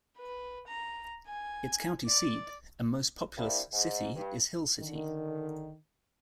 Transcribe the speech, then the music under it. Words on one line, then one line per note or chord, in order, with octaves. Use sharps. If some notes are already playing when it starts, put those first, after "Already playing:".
Its county seat and most populous city is Hill City.
B4
A#5
G#5
D5
G3 A#3 C4 D4 E4
G#2
G2
D3 D#3